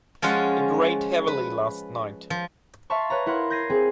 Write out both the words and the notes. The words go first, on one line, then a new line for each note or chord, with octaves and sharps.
It rained heavily last night.
F3 G#3 C#4 F4 F#5
B4
F3
E5 F5 A5 C6 C#6
B4 C#5 A#5
E4 A#4 F#5 C6
G6 G#6 A#6 C7 D#7
C4 G#4